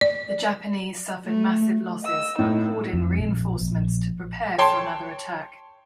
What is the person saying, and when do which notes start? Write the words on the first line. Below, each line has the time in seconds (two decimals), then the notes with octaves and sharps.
The Japanese suffered massive losses, but poured in reinforcements to prepare for another attack.
0.01 D5
1.26 A3
2.03 D#5 E6
2.39 A2 D#4 E4
2.93 F2
3.19 A#1
3.61 A#1
4.58 C#5 G5 A5 C6